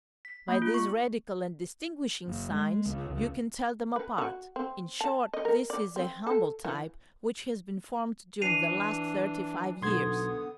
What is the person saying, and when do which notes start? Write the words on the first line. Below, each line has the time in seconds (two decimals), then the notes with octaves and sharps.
By these radical and distinguishing signs you can tell them apart; in short, this is a humble type which has been formed during the last thirty-five years.
0.25 B6
0.48 A#3
0.62 F4
0.74 C#6
2.27 F#1
2.50 G#3
2.86 C#2
3.10 C#2
3.96 B4
4.18 F#4
4.56 C4
5.01 A5
5.34 D#5
5.45 A#4
5.70 D5
5.96 C4
6.27 A4
6.65 E3
8.42 E3 D4 C7 D#7 F7
9.82 B1 D3 B3 C6 D#6 G#6